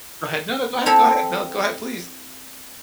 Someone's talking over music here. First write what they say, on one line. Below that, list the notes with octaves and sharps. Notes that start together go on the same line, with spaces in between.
go ahead. No, no, go ahead, go ahead. No, go ahead, please.
C4 E4 A4 E5 A#5